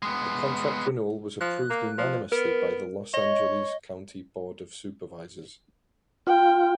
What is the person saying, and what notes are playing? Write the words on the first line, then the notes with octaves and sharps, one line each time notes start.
The contract renewal was approved unanimously by the Los Angeles County Board of Supervisors.
G#3 B3
F3 F#6
A#3
F3
B3 A#4
C#5 D#5
F4 G5